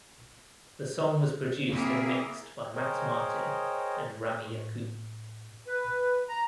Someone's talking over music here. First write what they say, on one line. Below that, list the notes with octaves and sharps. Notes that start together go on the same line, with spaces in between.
The song was produced and mixed by Max Martin and Rami Yacoub.
C#3 A#3 C4 E4 G#4
G#4 A#4 C5 C#5 D#5 G5
A2
B4
A#5